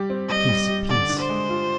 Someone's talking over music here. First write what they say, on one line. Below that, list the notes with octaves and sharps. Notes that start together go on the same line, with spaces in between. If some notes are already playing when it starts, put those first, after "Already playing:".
Peace, peace!
Already playing: G3 G4
C4
G3 D#5
G3
G4
D3 D5
D4
C5
G#3
F4